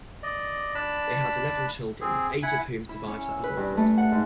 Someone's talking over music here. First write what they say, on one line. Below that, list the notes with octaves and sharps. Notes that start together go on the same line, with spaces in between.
They had eleven children, eight of whom survived to adulthood.
D5 D#5
D4 A5 B5
C4 G#4
E4 F#5 G#5 B5
E4
C#4
E6
B4
G2
A3
F#5
G#2